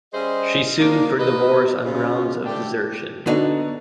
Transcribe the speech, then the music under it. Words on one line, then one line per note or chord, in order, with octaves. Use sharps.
She sued for divorce on grounds of desertion.
G3 C#4 G#4 C5 D#5 E5
A#3 D4
A#4 B4 D#5
C#3 F4
D3 A3 D4 G4
D3 B3 D4 D#4 F#4